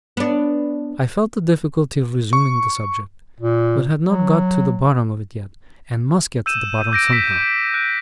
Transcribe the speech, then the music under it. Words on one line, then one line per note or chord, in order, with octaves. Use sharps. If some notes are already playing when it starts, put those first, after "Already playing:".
I felt the difficulty of resuming the subject, but had not got to the bottom of it yet, and must get to the bottom somehow.
B3 D4
C#6
A#2
F#3
E6 G6 D#7 E7
D6 G6 A#6 D7
B6
F#6 D7